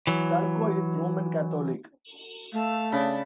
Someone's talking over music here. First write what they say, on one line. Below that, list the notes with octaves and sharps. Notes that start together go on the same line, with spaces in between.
Turco is Roman Catholic.
E3 F#3
A3 F5 E6
C#3 D4 D5 B5